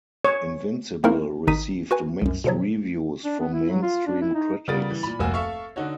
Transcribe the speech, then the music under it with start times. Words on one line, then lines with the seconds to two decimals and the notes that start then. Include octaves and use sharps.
"Invincible" received mixed reviews from mainstream critics.
0.25 C#5
1.04 A3 A#3 C4 D#4 E4 A#4
1.47 G#1 D#3 D#4 D#6 B6 D#7
1.91 F#4 B4 G#5
2.22 C2 F#2
2.44 B2 D3 F3 F#3
3.25 D4
3.40 B3
3.53 E4
3.70 F#3
3.83 F4
4.07 D4
4.22 E4
4.35 D#4
4.68 C#3 G3 B3 F4 A#4 A6
4.91 E3
5.03 A#2 B5
5.19 F1 G#2 A#3 F#4 G#5 E6
5.34 A4 E5 F5 C#6
5.76 D3 D4 D#4 F#4 C#5